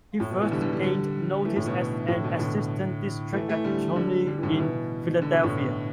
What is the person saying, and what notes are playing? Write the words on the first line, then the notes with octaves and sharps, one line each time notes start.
He first gained notice as an assistant district attorney in Philadelphia.
A2
B2
B2 E3
D3 G3
D3 G3
D3 G3
D3 G3
E3 A3
A2 D3
B2
A2
D3
B2
A2 D3
E3 A3
E3 A3
D3 G3
D3 G3
D3 G3
E3
A2 D3
G3
B2 E3
D3
B2
A2 D3